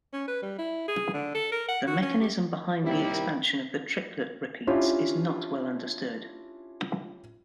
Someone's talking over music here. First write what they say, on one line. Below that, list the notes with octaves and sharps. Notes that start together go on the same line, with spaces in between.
The mechanism behind the expansion of the triplet repeats is not well understood.
C#4
B4
G3
E4
G#4
D3
A4
A#4
F#5
F#4
C#4
G4
D#2 C3 G3 E4
C#4 D4 E4 F4 G4